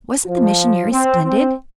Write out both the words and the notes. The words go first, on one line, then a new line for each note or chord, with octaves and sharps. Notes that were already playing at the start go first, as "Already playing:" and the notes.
Wasn't the missionary splendid?
F3
C4
C4